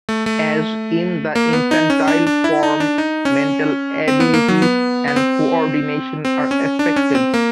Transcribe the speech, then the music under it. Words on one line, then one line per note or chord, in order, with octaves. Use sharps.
As in the infantile form, mental abilities and coordination are affected.
A3
A3
A#3
B3
D#4
C#4
D4
D4
E4
D#4
D4
D#4
C#4
C4
B3
A#3
F#3
B3
B3
C4
C4
C#4
D4
C#4
C4
A#3